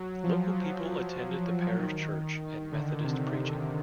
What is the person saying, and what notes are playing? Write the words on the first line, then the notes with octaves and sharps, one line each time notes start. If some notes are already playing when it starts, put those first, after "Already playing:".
Local people attended the parish church and Methodist preaching.
Already playing: F#3
F3
F#3
D#3
D3
C3
C3